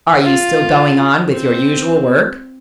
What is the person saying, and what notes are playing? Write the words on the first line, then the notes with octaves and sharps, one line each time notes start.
"Are you still going on with your usual work?"
F4
C4